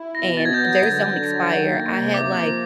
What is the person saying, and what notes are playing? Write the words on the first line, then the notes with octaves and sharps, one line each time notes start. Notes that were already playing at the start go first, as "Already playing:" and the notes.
and theirs don't expire. I had, like
Already playing: E4
B2 A#6
B3 A6
G#6
G6
F#3 G#6
D3
D3
F#3
D#3
A#3
C3
A#3 D6
F3